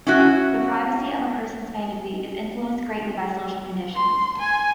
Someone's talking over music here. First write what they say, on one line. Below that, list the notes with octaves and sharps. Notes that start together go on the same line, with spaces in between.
The privacy of a person's fantasy is influenced greatly by social conditions.
C#4 E4 F#4
C6
G#5